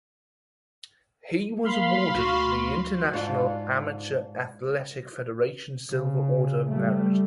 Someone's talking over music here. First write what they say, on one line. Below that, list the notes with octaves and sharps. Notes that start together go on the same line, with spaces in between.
He was awarded the International Amateur Athletic Federation Silver Order of Merit.
A#3 F5 B5 C6
D2 F#4
G#2 D4 F4
C#3
G3 A3